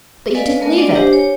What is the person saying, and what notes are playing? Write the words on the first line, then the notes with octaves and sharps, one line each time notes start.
"But you didn't leave it."
A4 B4 D5 D#5 F5 G#5
A3 B3 A#4
D4 D5 D#5 G#5
D4 G4 C5 G#5 D6
C#5